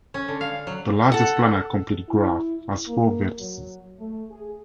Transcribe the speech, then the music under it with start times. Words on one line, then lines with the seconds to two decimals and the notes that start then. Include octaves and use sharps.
The largest planar complete graph has four vertices.
0.14 C#4
0.28 D3
0.41 F5
0.67 F#3
1.12 A4 F#5
2.09 E4
2.88 A#3
3.39 F#3
3.99 A3
4.31 G#4